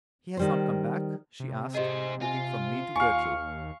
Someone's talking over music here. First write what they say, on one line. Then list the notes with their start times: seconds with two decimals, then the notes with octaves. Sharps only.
"He has not come back?" she asked, looking from me to Gertrude.
0.37 D#3 G3 C5
1.40 C3
1.75 G4 G#4 C5 D#5
2.21 F4 E5 G#5
2.96 D#2 F5 G#5 C#6